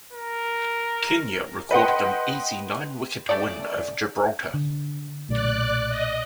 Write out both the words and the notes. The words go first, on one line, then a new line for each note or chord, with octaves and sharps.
Kenya recorded an easy nine-wicket win over Gibraltar.
A#4
B4 D#5 F#5 G5 C6
A3 C#4 D5
D3
B1 A#2 A3 D5 F#6
D#5